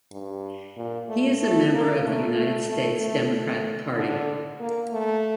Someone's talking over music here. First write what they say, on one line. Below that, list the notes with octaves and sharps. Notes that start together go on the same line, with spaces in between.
He is a member of the United States Democratic Party.
G2
A#2
A3
A3
A#3
A3
A3
A3
A3
A3
D3
A#3
A3